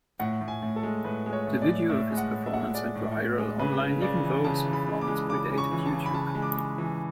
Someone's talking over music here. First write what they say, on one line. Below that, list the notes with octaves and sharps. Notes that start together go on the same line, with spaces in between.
The video of his performance went viral online even though his performance predated YouTube.
A2 F#5
A2
G#5
A2
A4
G#3
A2 B4
G#3
C#5
A2
D5
A2
A2 E5
G#3
F#5
A2
E5
G#3 F#5
E5
G#3 D5
A2
A2
G#3
C#3 B4
C#3
C#3 D5
E3
C#3 A5
E3
B5
C#3
D6
G#3
C#3 D6
C#3
C#6
E3
A5
C#3
B5
C#3 A5
G#3
D6
G#3
E3